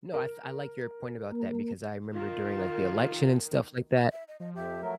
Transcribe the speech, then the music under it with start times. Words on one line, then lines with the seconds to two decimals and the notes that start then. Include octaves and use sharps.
No, I th I like your point about that because I remember during like the election and stuff like that,
0.14 A#4
1.32 A#3
2.13 D#3 F4
4.12 E5
4.28 D#5
4.40 F3 D#5
4.56 F2 G4 E5
4.82 F#3 A3 A#4